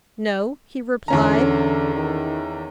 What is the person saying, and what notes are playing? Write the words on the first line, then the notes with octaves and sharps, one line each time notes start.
"No," he replied.
E2 D3 C#4 A#5
D#3